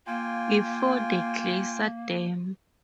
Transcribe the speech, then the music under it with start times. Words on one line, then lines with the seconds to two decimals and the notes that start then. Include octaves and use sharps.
Before the glacier dam.
0.07 A#3 F4 G5 G#5